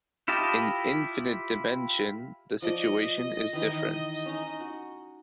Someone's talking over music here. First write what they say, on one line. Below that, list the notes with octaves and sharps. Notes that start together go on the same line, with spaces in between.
In infinite dimension the situation is different.
E4 F4 G4 D#5 A5
F3 D5 D#5
D#3 E3 D#4
C#4 D#4
F#4